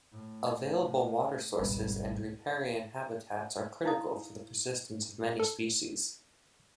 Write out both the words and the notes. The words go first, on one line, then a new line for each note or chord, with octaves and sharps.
Available water sources and riparian habitats are critical for the persistence of many species.
A2
G#1 C#2 B2 G3 B3
D#4 E4 F5 D#6
A4